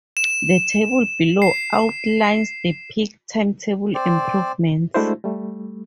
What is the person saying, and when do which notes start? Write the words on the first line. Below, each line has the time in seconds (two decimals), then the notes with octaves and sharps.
The table below outlines the peak timetable improvements.
0.17 E7
1.42 C7
3.95 C4 C5 D5
4.94 G#3 A3 D4 E4 F#4 C5
5.24 G3 A3